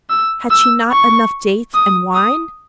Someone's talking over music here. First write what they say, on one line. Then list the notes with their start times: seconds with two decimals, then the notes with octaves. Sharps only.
Had she not enough dates and wine?'
0.10 E6
0.51 E6
0.92 C#6
1.74 D#6
2.15 D#6